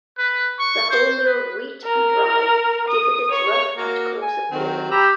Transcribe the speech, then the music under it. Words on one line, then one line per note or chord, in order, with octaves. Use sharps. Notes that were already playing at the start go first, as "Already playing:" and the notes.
The wholemeal wheat and rye give it its rough and coarse appearance.
B4
C#6
C5
B4
A#4
D#6
C#5 C#6
A#3 F#4
G#5
D#3 F#3 C4
G4 A#5 B5 E6